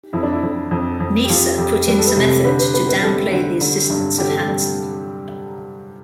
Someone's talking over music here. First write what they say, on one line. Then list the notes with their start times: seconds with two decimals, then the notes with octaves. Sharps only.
Neisser put in some effort to downplay the assistance of Hansen.
0.13 F2 E4
0.23 D4
0.33 E4
0.43 F2
0.71 F2
1.00 F2
1.24 G4
1.30 F2 F4
1.58 F2 G4
1.87 G3 B4
1.98 A4
2.07 B4
2.16 C3
2.25 A4
2.45 D3 B4
2.59 B4
2.74 B3 B4
2.89 B4
3.03 G3 A4
3.32 D3
3.61 D3
3.90 G2
4.18 D3 G4
4.28 A4
4.36 G4
4.48 G3